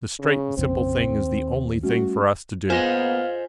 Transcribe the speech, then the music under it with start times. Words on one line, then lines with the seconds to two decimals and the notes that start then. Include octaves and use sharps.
The straight and simple thing is the only thing for us to do.
0.19 C#3
0.58 A#1 F2 C#3 C4
1.09 D#2
1.83 G3 A3 C#4 F#4
2.70 A#3 B3 F4 C5 D#5 F5 G#5